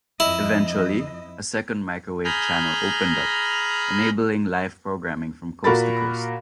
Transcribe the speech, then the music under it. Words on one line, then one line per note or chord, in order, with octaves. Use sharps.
Eventually, a second microwave channel opened up, enabling live programming from coast to coast.
F2 E4 D#5
G#4 A#5 B5 F6 G6
A#2 F#4 A#4 B5 A6